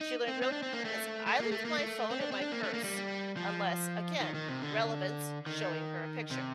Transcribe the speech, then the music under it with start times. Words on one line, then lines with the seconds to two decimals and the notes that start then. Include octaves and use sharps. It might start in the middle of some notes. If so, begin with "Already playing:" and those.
She learned real quick, because I leave my phone in my purse, unless, again, relevance, showing her a picture,
0.01 D#4
0.28 C4
0.42 C4
0.52 D4
0.63 C4
0.73 A#3
0.85 A3
1.27 A3
1.40 A#3
1.52 A3
1.65 A#3
1.78 A3
2.11 C4
2.21 D4
2.32 C4
2.42 D4
2.52 A#3
2.63 A3
2.74 A#3
2.84 G3
3.37 F3
4.20 D#3
4.35 D#3
4.49 C3
4.62 D3
5.46 D#3
6.31 C3